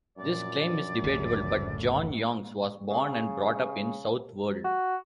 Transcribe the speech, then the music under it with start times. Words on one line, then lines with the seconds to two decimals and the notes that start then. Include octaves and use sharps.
This claim is debatable, but John Youngs was born and brought up in Southwold.
0.18 F#2 A#2 D5
1.04 F#1 D2 A2 C3
2.90 C#3
4.64 F#4